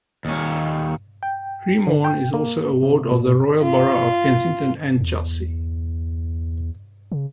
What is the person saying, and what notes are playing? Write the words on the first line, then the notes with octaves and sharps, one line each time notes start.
Cremorne is also a ward of the Royal Borough of Kensington and Chelsea.
D#2 C#4
G5
D3
G5
A#3
C3
A#2
F4
E2
C#3